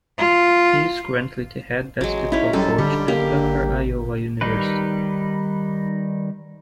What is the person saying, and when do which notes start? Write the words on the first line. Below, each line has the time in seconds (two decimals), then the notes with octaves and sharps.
He is currently the head basketball coach at Upper Iowa University.
0.18 F4
2.01 A1 F#3 G#3
2.32 C#4 D#4 E4
2.53 F#2 G3 A4
2.78 D3 G3
3.08 A#3 G4
4.41 D#3 G3 D#4 B4